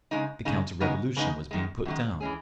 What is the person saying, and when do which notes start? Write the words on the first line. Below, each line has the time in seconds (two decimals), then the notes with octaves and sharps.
The counter-revolution was being put down.
0.11 C#3 G#3 D#4
0.45 C#3 G#3 D#4
0.80 C#3 G#3 B3 D#4
1.16 C#3 G#3 B3 D#4
1.51 F#2 D#3 G#3
1.85 F#2 D#3 G#3
2.20 E3 G#3 C#4 G#4